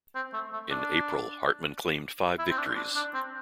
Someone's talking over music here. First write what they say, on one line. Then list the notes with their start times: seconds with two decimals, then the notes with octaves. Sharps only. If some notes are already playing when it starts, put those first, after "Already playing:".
In April Hartmann claimed five victories.
0.16 C4
0.33 A3
0.53 A3
0.71 D4
2.39 E4
2.50 C4
2.58 D4
2.76 D4
2.96 D4
3.14 C4